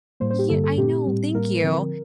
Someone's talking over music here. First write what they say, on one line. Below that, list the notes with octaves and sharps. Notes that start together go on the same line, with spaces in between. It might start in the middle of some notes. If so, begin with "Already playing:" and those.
y I know, thank you.
A2 G3 A#3 C5
C5
G4
G2 D3 G3 A#3 A4
A4
A#2 A3 C4 G4
A2 G3 C4
A2 G3 A#3 A#4
D3 F3 C4